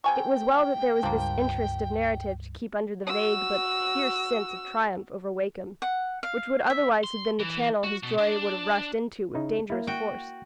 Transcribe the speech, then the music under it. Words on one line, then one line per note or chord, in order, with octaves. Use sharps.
It was well that there was this interest of narrative to keep under the vague but fierce sense of triumph over Wakem, which would otherwise have been the channel his joy would have rushed into with dangerous force.
C3 G5 G#5 C#6
C#2 G2 F3 A#3
F#4 E6
F#5
F5
E5
C6
E3
F#4
B2
D4
C#3 D#4 E4
A#3 E4
F#4 G5